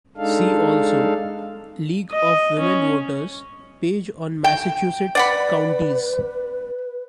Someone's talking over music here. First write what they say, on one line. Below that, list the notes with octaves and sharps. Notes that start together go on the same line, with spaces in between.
See also: League of Women Voters page on Massachusetts counties.
G#3 D4 D#4 A4 F5
D#5
C#4
G5
B4 D5 F#5 B5